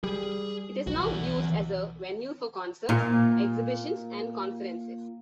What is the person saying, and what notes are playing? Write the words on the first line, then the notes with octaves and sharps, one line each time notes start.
It is now used as a venue for concerts, exhibitions and conferences.
G3 G#4
B1 F#4
E3 F#5
A#2 F4